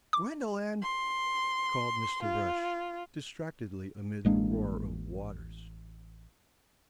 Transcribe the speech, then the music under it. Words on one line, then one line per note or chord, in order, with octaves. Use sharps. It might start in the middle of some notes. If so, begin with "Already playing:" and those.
"Gwendolyn!" called Mr. Brush, distractedly amid the roar of waters.
D6
C6
F4
A1 G#3 A#3 D4